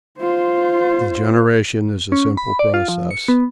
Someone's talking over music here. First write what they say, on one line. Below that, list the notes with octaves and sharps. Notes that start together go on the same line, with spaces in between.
The generation is a simple process.
F4 C5
C#4
B5
D5
F4
F3
C#7
B3